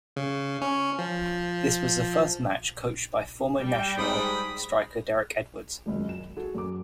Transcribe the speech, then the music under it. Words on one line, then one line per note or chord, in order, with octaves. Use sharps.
This was the first match coached by former national striker Derrick Edwards.
C#3
C#4
F3
G3 G5
G#2 B5 D#6
G#1 C#2 F#2
E7
F#4 G#4 A4
F#2 D6